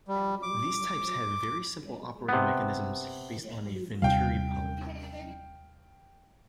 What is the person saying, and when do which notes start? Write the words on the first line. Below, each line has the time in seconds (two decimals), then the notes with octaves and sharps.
These types have very simple operating mechanisms, based on a venturi pump.
0.08 G3
0.43 D6
2.29 C3 B3
4.02 D#2 C3 G3 F5 G5